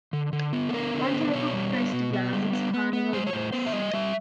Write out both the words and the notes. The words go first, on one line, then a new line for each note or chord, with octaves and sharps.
One type of pressed glass is carnival glass.
D3
D3
B3
A4
D3 A#4
D3
C5
B3
B2 C#5
G3
B3
B2
B3
G3
B3
B3
B3
G#3 C5
C#5
A2 C5
B3 C5
E5
G3 D#5
G3 E5